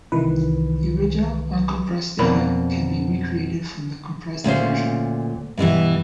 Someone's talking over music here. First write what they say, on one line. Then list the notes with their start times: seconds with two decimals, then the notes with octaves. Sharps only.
The original, uncompressed data can be recreated from the compressed version.
0.12 C2 D#3 E3 B4
2.19 F2 B2 A#3 A#4 D5 B5
4.44 D2 A#2 C#4 C5
5.57 G2 B2 D3 E3